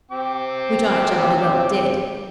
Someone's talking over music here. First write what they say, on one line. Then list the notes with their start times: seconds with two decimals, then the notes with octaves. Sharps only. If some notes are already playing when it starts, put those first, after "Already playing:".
Which I jolly well did.
0.11 C4 G5 D6